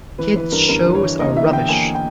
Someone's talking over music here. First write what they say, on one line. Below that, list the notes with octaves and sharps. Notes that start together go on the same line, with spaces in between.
Kid’s shows are rubbish!
E3 B4
E3 B4
G2 A#4
G2 A#4
E3
C#5
E3
A#3 D#5
E3 E5
E3 G5
A#3 G#5
G5